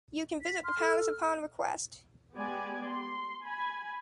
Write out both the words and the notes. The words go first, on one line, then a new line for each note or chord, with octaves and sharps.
You can visit the palace upon request.
B6
C6 F6
A4
G#3 B3 G4 D5 G#5
C6
G#5 B5